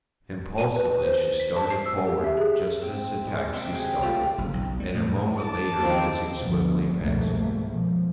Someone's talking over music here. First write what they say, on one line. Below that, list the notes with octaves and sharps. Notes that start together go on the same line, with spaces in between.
Impulsively she started forward, just as the taxi started and a moment later whizzed swiftly past her.
D#7
B4
C5
B6
A5
C7
E6
G4
E5
G#4
C4 E5
G#3
C3 E5 C6 C#6
F#4 G#4 G5
A3 F4 G4 F5
F#1
B1
G3
A2
A5 D6
F3 C4 D#4
G1 D2 F3 B3
C2 F2 G#2 B2 A3 A#3
G#2 B2 F3